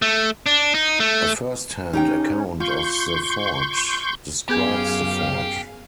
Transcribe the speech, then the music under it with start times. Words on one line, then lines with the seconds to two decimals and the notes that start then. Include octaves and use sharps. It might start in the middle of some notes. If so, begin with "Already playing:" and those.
A first-hand account of the fort describes the fort.
0.02 A3
0.46 D4
0.74 D#4
1.00 A3
1.93 C#4 D#4 G4 G5
2.60 F4 C6 C#6 G6
4.49 F#2 B3 G4 G#4 F5 G#5